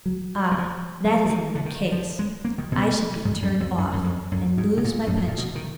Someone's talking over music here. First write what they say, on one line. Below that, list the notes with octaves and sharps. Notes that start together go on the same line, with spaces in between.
"Ah, that is another case; I should be turned off, and lose my pension."
F#3
F#3
F3
F#3
F3
F3
D#3
D3
D#3
F3
G#3
A#3
D#3
B2
G#2
F#2
F2
F#2
F#2
F2
F#2
G#2
B2
A#2
F#2
G#2
A#2
B2
D#3